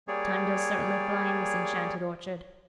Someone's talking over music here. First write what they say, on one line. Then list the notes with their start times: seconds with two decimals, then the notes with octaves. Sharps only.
Time does certainly fly in this enchanted orchard.
0.08 G3 A#3 G#4 C#5 D5